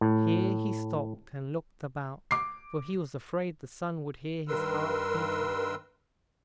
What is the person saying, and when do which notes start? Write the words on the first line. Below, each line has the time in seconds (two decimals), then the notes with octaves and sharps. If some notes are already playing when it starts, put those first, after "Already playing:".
Here he stopped and looked about, for he was afraid the Sun would hear his heart beating.
0.01 A2
2.31 D6 C7
4.48 G2 D#3 A#4 B4 C6 E6